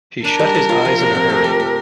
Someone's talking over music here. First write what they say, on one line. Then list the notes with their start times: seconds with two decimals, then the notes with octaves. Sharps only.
He shut his eyes in a hurry.
0.24 D4 A#4
0.39 G3
0.55 G3
0.69 F4
0.85 F3
1.00 C3
1.15 C4
1.30 A3
1.44 G4
1.60 C4